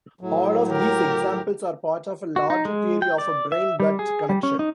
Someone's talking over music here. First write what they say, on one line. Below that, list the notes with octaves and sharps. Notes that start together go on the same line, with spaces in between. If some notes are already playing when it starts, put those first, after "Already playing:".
All of these examples are part of a larger theory of a brain-gut connection.
A2 F#3
G4 A#4
F#4
D#4
G#3
G5
D5
E5
G3
G#4
G3
C#4
D#4